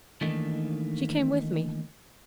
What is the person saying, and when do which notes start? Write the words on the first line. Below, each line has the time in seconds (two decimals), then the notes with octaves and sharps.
She came with me.'
0.21 D#3 E3 A3 A#3 D4 D#4